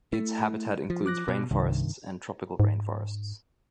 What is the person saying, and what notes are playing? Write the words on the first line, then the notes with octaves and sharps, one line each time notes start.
Its habitat includes rainforests and tropical rainforests.
A3 E4
F3
D6 F#6 A#6
B2
C2 G2 C3 D#3
G#2